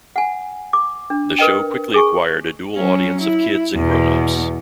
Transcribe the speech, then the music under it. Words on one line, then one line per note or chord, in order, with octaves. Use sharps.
The show quickly acquired a dual audience of kids and grownups.
F#5 G#5
D6
D4
A#4 B4 D#5 G5
G#4 G#5 C#6
F#3 C#4
E4
E2 B2